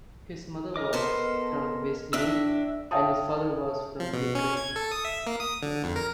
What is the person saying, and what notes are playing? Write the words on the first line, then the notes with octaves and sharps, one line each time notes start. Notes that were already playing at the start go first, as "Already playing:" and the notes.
His mother was from Westmeath and his father from Leitrim.
A#4 D#5 D6
B3 A4 C5
A2 D4 E5 E6
C#5 E5 F5 G5 A5 D#6
F3
B2
C#4
G#6
A4
D#6
E5
A#3
D#6
D3
F2
A#4